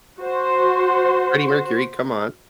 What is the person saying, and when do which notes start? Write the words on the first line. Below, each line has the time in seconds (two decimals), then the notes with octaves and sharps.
Freddie Mercury, come on.
0.20 F#4 C5